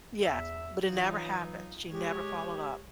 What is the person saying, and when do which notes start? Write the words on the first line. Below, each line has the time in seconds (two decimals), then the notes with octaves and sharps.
Yeah. But it never happened. She never followed up.
0.22 E2 E5
0.87 E3 F#3 D#4 F4
1.91 G#3 G4 C#5